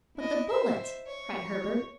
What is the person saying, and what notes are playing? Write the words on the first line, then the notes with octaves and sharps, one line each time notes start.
"But the bullet," cried Herbert.
E4 D#5
C5 E5
C#5